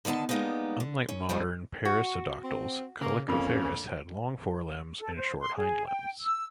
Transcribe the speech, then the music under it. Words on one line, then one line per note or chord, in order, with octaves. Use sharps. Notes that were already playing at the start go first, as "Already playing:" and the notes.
Unlike modern perissodactyls, chalicotheres had long forelimbs and short hind limbs.
D3 D#3 B3 A4 A5
G3 G#3 A#3 B3 C#4 D#4
D3
C#4
F2 A#2 F3 G3 G#3
F#4
C4
C#3 A#3
F2 D3 A#3 C#4
A4
C5
C6
G#4
G5
E6